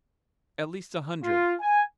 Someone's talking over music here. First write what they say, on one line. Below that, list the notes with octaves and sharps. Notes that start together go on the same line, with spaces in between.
"At least a hundred."
F4
G#5